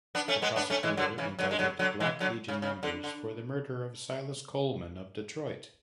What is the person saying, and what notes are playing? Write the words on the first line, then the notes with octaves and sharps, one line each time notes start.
The Prosecutor indicted Black Legion members for the murder of Silas Coleman of Detroit.
B3 D4
A3 C#4
G#3 B3
B3 D4
A3 C#4
E3 G#3
D3 F#3
C#3 E3
D3 F#3
G#3
D3 F#3
D3 F#3
E3 G#3
D3 F#3
C#3
C#3
D3
D3